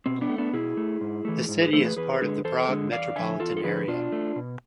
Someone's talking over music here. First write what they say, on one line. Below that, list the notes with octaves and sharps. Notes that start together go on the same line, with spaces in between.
The city is part of the Prague metropolitan area.
B2 C4
B3 D4
A3
B3 D4
B2 E4 G#4
A3
G#2
E3 A3
G#2
G#4 B4
E3 A3 A4 C5
G#4 B4
E2 G#4 B4
D3 G#3
E2 A4 C5
D3 G#3
E2 D5 F5
D3 F3 E5 G#5
E2 F4 A4
A4
D3 F3 G#4 B4
B2 D4 F4
A3
B2